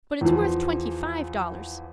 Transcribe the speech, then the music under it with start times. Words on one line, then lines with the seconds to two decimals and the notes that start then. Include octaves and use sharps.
But it's worth twenty-five dollars.
0.21 E2 E3 F3